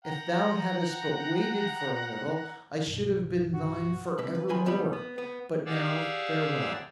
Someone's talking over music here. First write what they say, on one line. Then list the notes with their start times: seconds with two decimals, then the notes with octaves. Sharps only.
If thou hadst but waited for a little, I should have been thine for ever more, but now farewell!
0.05 F#5 G5 A#5
2.86 B1 G2
3.54 F#4
4.18 C2 B4
4.35 B4
4.49 D#2 D#3 F4 B4 G#5 B5
4.66 E2 G3 B3 D#4 B5
4.93 B3
5.18 B3
5.66 G4 G#4 D5 F5 F#5 E6